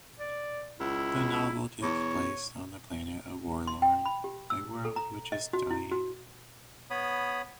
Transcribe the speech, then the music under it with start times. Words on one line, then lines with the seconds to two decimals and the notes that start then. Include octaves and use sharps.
The novel takes place on the planet of Worlorn, a world which is dying.
0.19 D5
0.80 C#2 E4
1.82 E2 C#5
3.67 C6
3.82 G5
4.06 B5
4.24 G4
4.50 E6
4.85 A4
4.96 A#5
5.32 D#5
5.53 F#4
5.70 E4
5.91 F#4
6.90 B3 C#5 B5 D#6